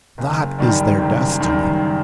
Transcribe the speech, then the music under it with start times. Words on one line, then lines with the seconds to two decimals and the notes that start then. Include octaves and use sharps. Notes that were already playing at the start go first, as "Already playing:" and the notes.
That is their destiny.
0.18 F#1
0.59 F#2 D#3 G3
0.99 F#1
1.39 F#2 D#3 G3